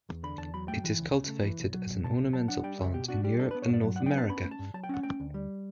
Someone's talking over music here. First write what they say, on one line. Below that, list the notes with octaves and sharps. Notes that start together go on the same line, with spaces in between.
It is cultivated as an ornamental plant in Europe and North America.
E2
D3 B5
E2 A5
F#3 B5
A3 G5
E3
C#2
C#3
A3
E3
B1
F#3
B1
B2 A5
B1
F#3 A5
D4 F#5
G3 G5
C#2 E5
B2 G4
D4 F#4
G3 G4
D4 A4
B3 B4
C#5
G2 D5
F#3
D4 F#5
G5
B3 A5
C#4 B5
A3
A5
G2
F#3 A5
G5
C#4 F#5
A3 G5
D2
G3